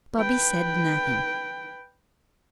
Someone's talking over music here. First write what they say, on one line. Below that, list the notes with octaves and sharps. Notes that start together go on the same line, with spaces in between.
Bobby said nothing.
B4 G5